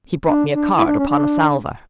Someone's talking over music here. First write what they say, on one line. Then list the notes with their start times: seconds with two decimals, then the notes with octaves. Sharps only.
He brought me a card upon a salver.
0.27 D4
0.53 D4
0.77 E4
0.87 D4
0.98 C#4
1.08 D4